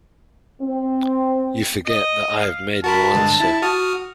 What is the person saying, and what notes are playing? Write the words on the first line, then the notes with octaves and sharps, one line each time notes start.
You forget that I have made no answer.
C4
D#5
F5
F#4 A#4 A5 B5
G2 D3 G#3
E4
F#4 D#6 F6